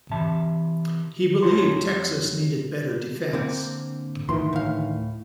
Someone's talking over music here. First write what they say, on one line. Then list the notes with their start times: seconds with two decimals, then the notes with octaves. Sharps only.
He believed Texas needed better defense.
0.12 C3 E3 E5 A5
1.42 F2 F#3 G4 A4 C#5 C6
3.33 D3 A#3 C4
4.29 D2 D#3 E3 C6
4.53 A2 F5